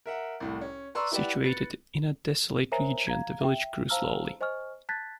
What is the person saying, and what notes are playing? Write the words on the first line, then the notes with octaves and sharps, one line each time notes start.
Situated in a desolate region, the village grew slowly.
A#4 E5 F#5
C2 A2
C#4
B4 D5 A#5 C6 C#6 E6
E4 G4 B4 D5 E5 F#5
B4 A6 C#7
A#4 C5 C#5 E5 G#5 A#5
F5 A#5 G#6
E5 G5
C5 F5 A5 A#5 E6 F6
C5 D#5 G#5 C#6 F6
A5 F#6 G#6 A6 B6